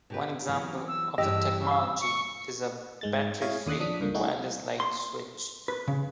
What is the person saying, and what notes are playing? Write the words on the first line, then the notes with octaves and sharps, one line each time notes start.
One example of the technology is a battery-free wireless light switch.
B2 G4 B4
E3 F#3 B3
E6
G2 E3 G4 D#5 E6
F5 B5
C#6
G#2 G#3 A6
E4 G#4 C#5 F5 G#5
D#2 D3 D#6 F#6 C7
F3 D4 D#6 B6
C#2 G2 D3 A#3
A3 D#4 E4 F#4 G#4
C6
B4
C#3